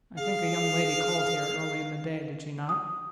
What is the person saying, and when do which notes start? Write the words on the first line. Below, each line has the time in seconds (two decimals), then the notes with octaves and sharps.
"I think a young lady called here early in the day, did she not?"
0.18 G#4 F5
2.69 D#6